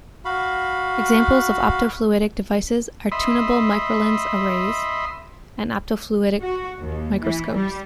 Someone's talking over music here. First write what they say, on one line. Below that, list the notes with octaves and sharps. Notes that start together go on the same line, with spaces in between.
Examples of optofluidic devices are tunable microlens arrays and optofluidic microscopes.
F#4 F5 B5
D#5 E5 B5 C6
F#4
D#2
E3
G3